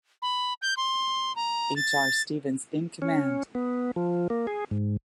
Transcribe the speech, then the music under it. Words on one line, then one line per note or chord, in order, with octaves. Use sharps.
H. R. Stevens in command.
B5
G6
C6
A#5
A6
C#4
B3
F3
A#3
G#4
G#2